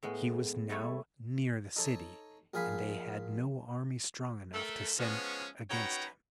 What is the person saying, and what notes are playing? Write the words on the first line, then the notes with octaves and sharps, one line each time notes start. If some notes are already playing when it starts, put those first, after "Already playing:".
He was now near the city, and they had no army strong enough to send against him.
A2 G#3 B3
G3 A3 E4 C#5
D#4 A4 C#5
A#1 A#2 G#4 F5 G#5 B5
A3 A4 A#4
F3 G#3 B3 C#4
C#4 D#4 F#4 B4 G5 A#5